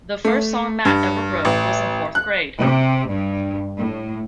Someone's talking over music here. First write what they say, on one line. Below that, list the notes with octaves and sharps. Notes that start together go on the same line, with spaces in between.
The first song Matt ever wrote was in fourth grade.
A3
G2
A1
F#6
C3
G2
A2